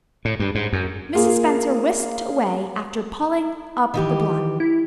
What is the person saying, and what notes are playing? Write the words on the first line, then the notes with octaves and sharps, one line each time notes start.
Mrs. Spencer whisked away, after pulling up the blinds.
A2
G2
G#2
F#2
A#3 F4 G#4 F5
D#3 E3 G4
E4